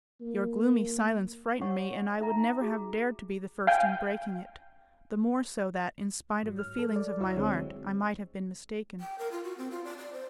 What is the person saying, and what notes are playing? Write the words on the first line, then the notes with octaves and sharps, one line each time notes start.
Your gloomy silence frightened me, and I would never have dared to be the first in breaking it; the more so that, in spite of the feelings of my heart, I might have been mistaken.
A#3
C#5 F#5 C#6
D#4 E5 A#5
F#4 G#4
F5 G5 G#5
G#2 F#3
F6
A4
D5
C#2 F#3 E4 F#4 C#5 E6
D3 G#3 C4
G5
A#4
F4
F#4
C4
F4
D5
D5
C5